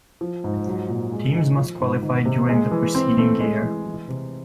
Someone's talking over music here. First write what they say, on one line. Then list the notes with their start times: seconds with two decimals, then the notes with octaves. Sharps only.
Teams must qualify during the preceding year.
0.21 F3
0.44 G#2
0.67 F#3
0.89 A#2
1.12 G#3
1.34 D#3
1.57 F3
1.80 G#2
2.03 D#3
2.25 C3
2.49 G#3
2.71 E3
2.95 C4
3.18 A3
3.40 G#3
3.63 E3
3.86 E3
4.09 C3